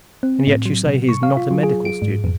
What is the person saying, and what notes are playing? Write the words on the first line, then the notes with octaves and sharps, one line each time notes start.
"And yet you say he is not a medical student?"
C4
A2
F#3
C3
C#6
F5
F4
F#3
G#4
D7
G#2
F2